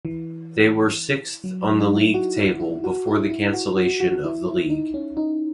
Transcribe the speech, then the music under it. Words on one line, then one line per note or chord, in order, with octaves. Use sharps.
They were sixth on the league table before the cancellation of the league.
E3
F#3
D#4
E4
F#4
E4
E4
F#4
E4
E4
F#4
F#4
F#4
E4
E4
D#4
C#4
D#4